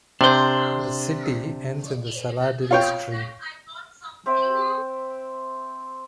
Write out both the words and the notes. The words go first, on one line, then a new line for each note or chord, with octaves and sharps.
The city ends in the Saladillo Stream.
C3 D4 C5
F4 C#5 G5
C4 E5 G5